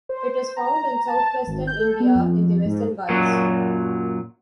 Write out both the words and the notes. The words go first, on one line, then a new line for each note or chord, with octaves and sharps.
It is found in southwestern India in the Western Ghats.
C5
A#5
A5
G#1
G6
A4
B3
F2
G#2
F#2 A#2 F#3 C#5